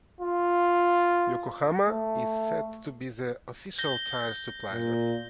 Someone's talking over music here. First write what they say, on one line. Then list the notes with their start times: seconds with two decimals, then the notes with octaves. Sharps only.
Yokohama is set to be the official tyre supplier.
0.20 F4
1.87 A3
3.78 G6 A#6 G7
4.72 A#2